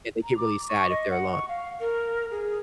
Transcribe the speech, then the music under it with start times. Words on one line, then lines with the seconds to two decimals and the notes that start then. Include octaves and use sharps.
Yeah, they get really sad if they're alone,
0.23 A#5
0.37 D6
0.69 C#6
0.90 D#5
1.10 F#5
1.32 C#6
1.49 F5
1.80 A#4
2.31 G#4